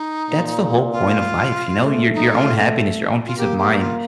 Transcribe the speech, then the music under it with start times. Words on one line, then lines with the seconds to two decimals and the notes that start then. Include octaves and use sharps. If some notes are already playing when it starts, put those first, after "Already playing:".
that's the whole point of life, you know, your your own happiness, your own peace of mind.
Already playing: D#4
0.30 A#2
0.92 F4
1.84 A3
2.14 D#4
2.35 F4
3.26 F4
3.38 A#3 G4
3.58 G4
3.79 F4